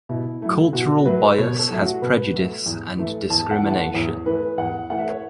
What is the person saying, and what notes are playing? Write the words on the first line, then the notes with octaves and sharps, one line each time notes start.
Cultural bias has prejudice and discrimination.
B2 E4
F#3 A3 E4
B2 F#4
F#3 A3 B4
B2 C#5
A4
F#3 A3
F#4
B2 B4
F#3 A3
E2
E3 A3
E2 A5
F#5
E3 A3 A5
F#5
E2 C#5
E3 A3 B4
E2 F#5
E3 A3 F#5
E5
C#5